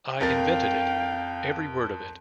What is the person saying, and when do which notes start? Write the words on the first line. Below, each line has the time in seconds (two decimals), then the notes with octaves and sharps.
I invented it — every word of it.
0.21 F2 A#4 F5 G5 A6